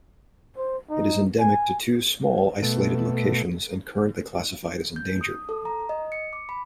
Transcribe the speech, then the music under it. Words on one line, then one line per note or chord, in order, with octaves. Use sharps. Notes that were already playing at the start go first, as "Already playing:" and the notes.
It is endemic to two small, isolated locations and currently classified as endangered.
C5
D#4
G#5
B2 A3
G6
D#6
A4
A#5
D#5
C#7
D6
B5